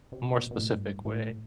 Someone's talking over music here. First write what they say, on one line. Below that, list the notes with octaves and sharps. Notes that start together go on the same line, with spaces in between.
more specific way?
C3
B2
B2
A2
G2
A2